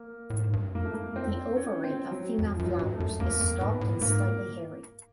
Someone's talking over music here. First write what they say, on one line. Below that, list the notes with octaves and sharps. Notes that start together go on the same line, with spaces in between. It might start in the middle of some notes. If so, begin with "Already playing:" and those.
The ovary of female flowers is stalked and slightly hairy.
Already playing: A#3
A2
G#2
G2
F#2
F2 A#3
A3
A#3
C4
C#4
C4
F#3
F2
F3
F#2
F#3
G2
A3
F#2
E2 A#3
F2
G#2 B3
A2
G#2 A#3